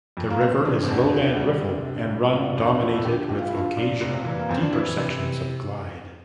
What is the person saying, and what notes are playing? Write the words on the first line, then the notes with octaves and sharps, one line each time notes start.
The river is lowland riffle and run dominated with occasional deeper sections of glide.
F2
A#3
F1 C4
E3 D4
C4
E2 D4
D2
G3
C3
A#1
G3
A#2
E2 D4
F4
F3 E4
A4
D3 G4
A#1 G4
F4
E4
F3 F4
A#2
F1
E3
A#3
F2 C4
D4
E3 E4
C3